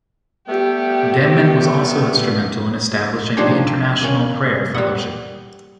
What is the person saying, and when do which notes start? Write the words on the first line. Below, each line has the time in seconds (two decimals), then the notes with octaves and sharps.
Denman was also instrumental in establishing the International Prayer Fellowship.
0.47 G3 A3 B3 G4
3.37 F3 D4 D#4 G4 C5 C#5
4.01 A#3 C#4
4.74 G3 F#5